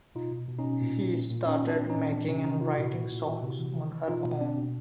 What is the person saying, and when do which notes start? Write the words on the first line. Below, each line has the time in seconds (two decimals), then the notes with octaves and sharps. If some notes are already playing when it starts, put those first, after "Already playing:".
She started making and writing songs on her own.
0.15 B2 D#4 F4
0.31 B2
0.49 B2
0.59 C#4 D#4
0.64 B2
0.81 A#2
0.97 A#2
1.13 A#2
1.30 A#2
1.46 A#2 C#4 D#4
1.62 A#2
1.68 C4 D4
1.79 A#2
1.90 C#4 D#4
1.96 A#2
2.11 E3 C4 D4
2.28 C3 C#4 D#4
2.44 E3 C#4 D#4
2.61 C3 D#4 F4
2.77 A#2 E4 F#4
2.93 A#2
3.10 A#2
3.27 A#2
3.42 C3
3.59 E3
3.75 E3
3.91 E3
4.08 B2 D#4 F4
4.25 B2
4.41 B2 C4 D4
4.57 B2